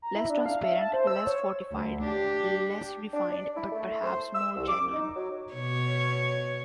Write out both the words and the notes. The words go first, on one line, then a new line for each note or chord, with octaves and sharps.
Less transparent, less fortified, less refined: but perhaps more genuine.
A#5
E4
D4
F5
E5
A5
C5
E6
C#5
D2
D4 G4
D4
D5
E4
A3
C5
E6
C2
D6
D#4
F#3
B2 C#5